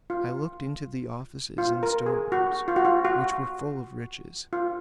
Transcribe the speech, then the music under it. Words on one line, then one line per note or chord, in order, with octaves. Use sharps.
I looked into the offices and store-rooms, which were full of riches.
F4
F4
A#4
G#4
F#4
F4
F#4
F4
F#4
F4